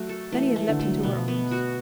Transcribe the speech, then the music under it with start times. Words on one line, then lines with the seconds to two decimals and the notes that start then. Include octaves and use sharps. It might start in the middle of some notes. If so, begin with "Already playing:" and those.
Then he had leapt into her arms.
Already playing: F#3 A3 F#4
0.09 A4
0.32 E3 A3
0.50 E3
0.56 A3
0.68 D3
0.80 A3
0.86 F#3
1.03 B2 B3
1.28 B3
1.51 F#4